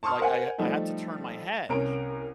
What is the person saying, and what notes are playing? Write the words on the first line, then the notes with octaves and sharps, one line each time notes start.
Like I I had to turn my head,
A5 C6 C#6 D#6 F6
A#4 C5 F#5 G#5
F3 G3 A3 D#4
C2 C#4 A#4 A#5 D7